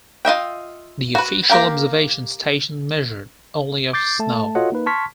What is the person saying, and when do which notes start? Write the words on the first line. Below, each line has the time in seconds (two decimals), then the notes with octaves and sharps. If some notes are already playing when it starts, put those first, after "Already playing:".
The official observation station measured only of snow.
0.25 F4 D#5 E5 G5
1.15 F#4 B4
1.50 A#3 G4 A#4 F5 G5
3.93 D6 G6 A6 C7
4.19 A3 A5
4.55 F4 F#4 A4 C#5 D#5 F#5
4.72 A#3 D#4 B4
4.86 A5 C6 C#6 F6 G#6 B6